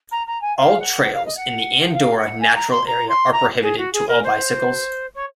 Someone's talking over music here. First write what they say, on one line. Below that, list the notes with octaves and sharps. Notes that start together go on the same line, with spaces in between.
All trails in the Andorra Natural Area are prohibited to all bicycles.
A#5
A#5
G#5
F5
F#5
F#5
F5
D#5
F#5
F#5
F5
F#5
G#5
A#5
C6
A#5
C6
A#5
G#4
F#4
G#4
A#4
C5
C#5